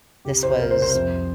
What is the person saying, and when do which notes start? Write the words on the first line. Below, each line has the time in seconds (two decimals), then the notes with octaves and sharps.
This was
0.25 C2 G4
0.43 C2 C5
0.59 C2 A#4
0.71 C5
0.77 C2
0.82 C5
0.94 F2